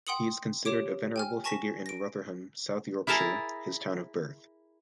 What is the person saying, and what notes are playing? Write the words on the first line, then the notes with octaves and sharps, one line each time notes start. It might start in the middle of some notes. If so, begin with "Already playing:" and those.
He is considered a venerable figure in Rotherham, South Yorkshire, his town of birth.
F#5 G5 C6 D#6 C#7 F#7
G4 C#5 D6 D7
G5 G#5 F6
G#5 A5 C#6 A#6 B6 E7
A#6 D7
E4 G#4 A#4 A5 A#5